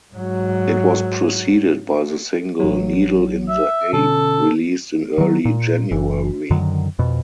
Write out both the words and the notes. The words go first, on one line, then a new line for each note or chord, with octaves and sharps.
It was preceded by the single "Needle in the Hay", released in early January.
G#2 F#3
A1 F#3
E5
B2 D3 C#4 A4
D#3 F#3
A#2
F#1 E3
F#2 D3 D#3 F#3
F2 B2